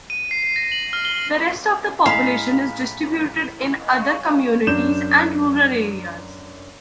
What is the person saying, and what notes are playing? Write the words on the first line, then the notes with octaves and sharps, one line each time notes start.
The rest of the population is distributed in other communities and rural areas.
D#7
C7
C7
A#6
F#7
F6
G7
A2 G#3 F5 A#5 B5 B6
F#2 D4 G6 E7